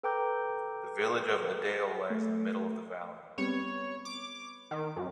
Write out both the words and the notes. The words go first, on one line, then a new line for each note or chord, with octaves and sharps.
The village of Edale lies in the middle of the valley.
A4 B4 G5 A#5 D6 G6
A3
G3 B3 C4 C#5
B3
D6
D#3
F#2